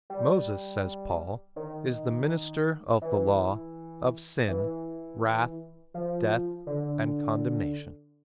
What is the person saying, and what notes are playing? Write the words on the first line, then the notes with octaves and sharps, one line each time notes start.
"Moses," says Paul, "is the minister of the Law, of sin, wrath, death, and condemnation."
G3
D#3
E3
E3
F3
D3